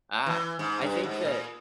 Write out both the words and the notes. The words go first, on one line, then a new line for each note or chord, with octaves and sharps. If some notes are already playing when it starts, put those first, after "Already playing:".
Ah. I think that
E3
G#2
G2
G#2
A#2